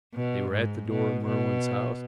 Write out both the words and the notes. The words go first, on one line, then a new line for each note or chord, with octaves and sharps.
They were at the door of Merwin's house.
B2
G#2
B2
B2